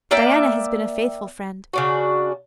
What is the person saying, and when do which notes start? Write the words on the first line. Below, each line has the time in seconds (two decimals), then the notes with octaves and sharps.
Diana has been a faithful friend.
0.11 A#3 D5 E5 G5
1.73 C#3 D4 F#4